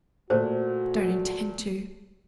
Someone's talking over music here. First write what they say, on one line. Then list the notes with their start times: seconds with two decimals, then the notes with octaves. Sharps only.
'Don't intend to.
0.30 A#2 A3 F#4 C5